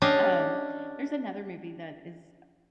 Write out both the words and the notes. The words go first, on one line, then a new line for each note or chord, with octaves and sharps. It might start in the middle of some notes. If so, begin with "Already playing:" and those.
Um, there's another movie that is
C#4 D4 G4 D#5 F5